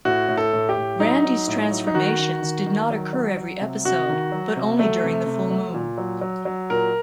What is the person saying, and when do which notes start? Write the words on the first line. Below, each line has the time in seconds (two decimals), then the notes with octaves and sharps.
Randi's transformations did not occur every episode but only during the full moon.
0.05 A2 F#4
0.28 A2
0.37 A4
0.53 A2
0.69 G4
0.77 A2
1.00 F#3 D#4
1.24 F#3
1.47 A2
1.71 F#3
1.87 D#4
1.94 D#3 F#4
2.19 D#3
2.42 D#3
2.66 D#3
2.91 F#3
3.13 F#3
3.37 F#3
3.61 C3
3.85 C3 F#4
4.09 D#3
4.32 F#3
4.56 C3
4.79 F#3 A3
5.04 C3
5.27 C3
5.50 F#3
5.74 A#2
5.98 F#3
6.21 F#3
6.45 F#3
6.70 A#2 A#4